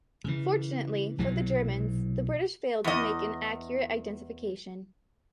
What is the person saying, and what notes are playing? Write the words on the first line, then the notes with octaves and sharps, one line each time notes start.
Fortunately for the Germans, the British failed to make an accurate identification.
C#3 E3
B1 C3 E3 F#3
E2 D#5